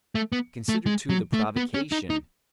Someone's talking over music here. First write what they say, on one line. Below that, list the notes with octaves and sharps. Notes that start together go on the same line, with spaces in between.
Consider, too, the provocation!
A3
B3
A3
G#3
F#3
A3
B3
C#4
D#4
D#4